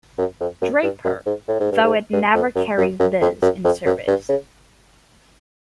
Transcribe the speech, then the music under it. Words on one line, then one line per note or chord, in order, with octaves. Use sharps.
Draper, though it never carried this in service.
F#2
F2
F#2
G2
F#2
G#2
A2
G#2
G2
G#2
G2
F2
F#2
F#2
F#2
F2
F#2
F2
F#2
G2
C#3